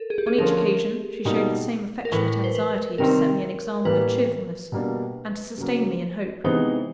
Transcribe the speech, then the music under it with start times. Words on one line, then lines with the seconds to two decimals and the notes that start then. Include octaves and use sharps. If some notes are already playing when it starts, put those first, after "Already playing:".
On each occasion, she showed the same affectionate anxiety to set me an example of cheerfulness, and to sustain me in hope.
Already playing: A4 A#4
0.10 G#4
0.18 G4
0.27 G#4
0.38 D3 F3 A3 C#4 F4 A#4
1.25 B2 G3 A#3 D#4
2.05 A#4
2.12 A2 E3 A3 B4
2.44 C5
2.55 B4
2.98 C3 D#3 G3 C4 A#4
3.85 A2 E3 G3 A#3 B4
4.72 B2 G3 A#3 D4
5.58 C#3 F#3 A#3
6.44 C3 E3 G#3 B3 D#4 C5